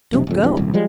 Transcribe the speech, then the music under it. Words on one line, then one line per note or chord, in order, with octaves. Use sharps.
Don't go.
F1 B1 C3
D1 F2
A#1 E2 G2
D#1 C2
F3 G3 G#3